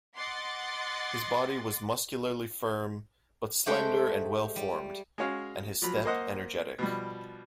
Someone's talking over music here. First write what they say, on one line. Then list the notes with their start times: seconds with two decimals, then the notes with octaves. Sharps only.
His body was muscularly firm, but slender and well-formed, and his step energetic.
0.16 D#5 F#5 C6 D6 A6
3.66 G#3 A3 G4 C5 F#5 G5
4.56 G3
5.18 G#3 C#4 F#4 C#5 F5
5.82 F3 F#3 B5
6.05 A#3 C5 D#5 F#5
6.78 B2 F3 G3